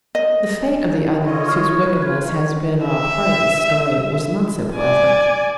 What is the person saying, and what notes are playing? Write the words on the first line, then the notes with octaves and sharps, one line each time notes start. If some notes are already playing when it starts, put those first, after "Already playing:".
The fate of the others, whose wickedness has been a part of this story, was not so pleasant.
D#5
E4 F4 C#5 D#5
C#6 F6
B4
F4 G#6
F#3 G#3 C#5
E5
D5 G#5